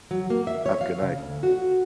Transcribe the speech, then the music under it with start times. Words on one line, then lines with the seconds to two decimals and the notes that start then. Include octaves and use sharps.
Have a good night.
0.11 F#3
0.30 A#3
0.47 E5
0.66 C#5
0.81 F5
1.02 C#3
1.18 D2
1.43 F#4